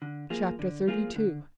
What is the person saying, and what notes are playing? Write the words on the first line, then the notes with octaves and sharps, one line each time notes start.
Chapter XXXII.
D3
F3 A#3 F4 G#4
D3
F3 A#3 F4 G#4
D3